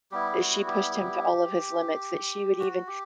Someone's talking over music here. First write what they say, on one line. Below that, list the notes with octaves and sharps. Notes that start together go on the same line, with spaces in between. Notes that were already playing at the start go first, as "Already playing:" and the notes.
That she pushed him to all of his limits, that she would even
G3 B3 E4 G4
F#4
G4
G4
F#4
G4